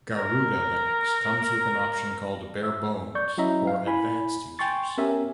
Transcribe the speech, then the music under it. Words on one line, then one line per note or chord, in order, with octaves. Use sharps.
Garuda Linux comes with an option called Barebones for advanced users.
A#4
E5
D5 C#6 G6
F#3 C#4 E4 D#5 E5 A#5
F5
E4 G#5 B5
G5 G#5 C6 C#6 A6
B3 C#4 G4 A#4 E5 G#5